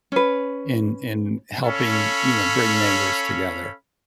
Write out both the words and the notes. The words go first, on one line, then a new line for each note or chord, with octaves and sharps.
in in helping, you know, bring neighbors together,
C#4 B4
C#4 A4 C#5 F5 B5